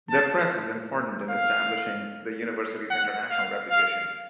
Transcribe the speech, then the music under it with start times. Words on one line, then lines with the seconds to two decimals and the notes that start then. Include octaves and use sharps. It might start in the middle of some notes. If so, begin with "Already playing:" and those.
The Press was important in establishing the university's international reputation.
0.10 A5
1.30 F5
2.90 F#5
3.30 F5
3.70 F5